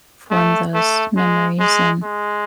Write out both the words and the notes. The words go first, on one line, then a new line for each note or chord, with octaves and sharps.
form those memories, and
A3
A3
G#3
G#3
G#3